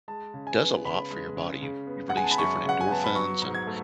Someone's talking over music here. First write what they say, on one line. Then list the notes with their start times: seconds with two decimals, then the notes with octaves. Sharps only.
does a lot for your body. You you release different endorphins, and,
0.08 G#3 A5
0.34 C#3
0.47 G#5
0.60 B3
0.85 C#3 B5
1.11 G#3
1.36 C#3
1.62 C#3
1.87 B3
2.10 F#5
2.13 G#3 G#5
2.24 A5
2.31 B5
2.38 F#2 C#6
2.64 C#3 F#5
2.81 G#5
2.90 B3 A5
3.04 B5
3.15 F#3 C#6
3.42 G#2
3.55 G#6
3.67 A3